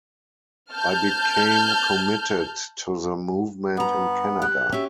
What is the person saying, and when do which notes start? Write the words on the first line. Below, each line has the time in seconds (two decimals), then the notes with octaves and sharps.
I became committed to the movement in Canada.
0.71 A5 F6 G6
3.77 G2 B3 A#5
4.42 G4 F#6
4.72 C#4 F#4 G4 E5